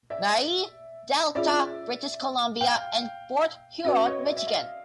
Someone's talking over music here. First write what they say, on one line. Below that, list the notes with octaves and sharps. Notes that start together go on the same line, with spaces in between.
Marie, Delta, British Columbia and Port Huron, Michigan.
D5 E5
C#4 F4 G#4 D5 E5
F5 G5
C#4 F#4 B4 E5 F#5
C#5 D#5
D5 E5
E5
D#5 F5